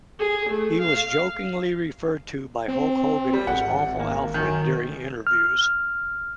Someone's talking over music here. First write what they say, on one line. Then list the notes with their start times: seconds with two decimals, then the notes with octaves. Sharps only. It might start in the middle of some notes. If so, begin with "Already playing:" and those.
He was jokingly referred to by Hulk Hogan as "Awful Alfred" during interviews.
0.19 G#4
0.49 A3
0.80 F5
2.68 C4
3.33 G3
3.47 G#1 F#5
4.00 A#3
4.34 F#2 D#3
5.27 F6